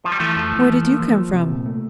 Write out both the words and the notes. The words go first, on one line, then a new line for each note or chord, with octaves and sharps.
"Where did you come from?"
F3
G3
E3 F3 A3
F2
E3
E3
A#3
F3
F3
C3
A#2
A3